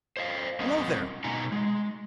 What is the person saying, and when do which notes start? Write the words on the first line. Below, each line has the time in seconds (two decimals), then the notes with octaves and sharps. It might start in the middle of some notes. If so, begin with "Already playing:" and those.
Below there!
0.17 C5 D#5 F5
0.60 G3 C4 C#4 A#4 D#5 F#5
1.24 B2 D#4 F#5 G#5 A#5
1.52 G#3